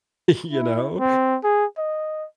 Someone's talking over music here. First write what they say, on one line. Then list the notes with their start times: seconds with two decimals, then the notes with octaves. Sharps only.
you know?
0.52 E4
1.00 C4
1.43 G#4
1.78 D#5